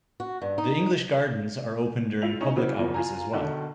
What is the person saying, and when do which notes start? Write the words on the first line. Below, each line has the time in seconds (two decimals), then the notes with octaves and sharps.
The English gardens are open during public hours as well.
0.20 F#4
0.42 G2
0.58 D#4
2.22 E4 F4 E5 F7
2.41 C#4 D#4
2.56 C#3 E3 F#3 C4
2.78 E2 C#3 F3
2.94 F4 G#5 A#5
3.33 B2 D3 D#3